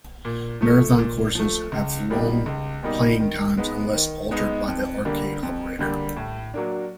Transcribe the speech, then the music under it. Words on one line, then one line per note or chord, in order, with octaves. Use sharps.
Marathon courses have long playing times unless altered by the arcade operator.
A#2
F3 A3
A#2
F3 A3
C#2
B2 G3 A#3 D#4
C#2
B2 G3 A#3 D#4
D#3
G#3 B3 D#4
D#3
G#3 B3 D#4
F2
D3 G3 A#3
F2
D3 G3 A#3
A2
F#3 A#3 D4